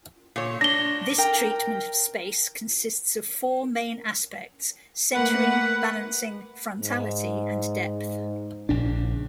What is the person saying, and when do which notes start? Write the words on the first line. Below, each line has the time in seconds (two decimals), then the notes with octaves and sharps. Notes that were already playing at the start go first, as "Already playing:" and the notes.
This treatment of space consists of four main aspects: centering, balancing, frontality, and depth.
0.36 A#2 C#5
0.61 D4 A#6 G7
1.18 A#4 G5
5.14 A3 A#3 B4 F#5
6.80 G#2
8.69 A#1 C#3 D4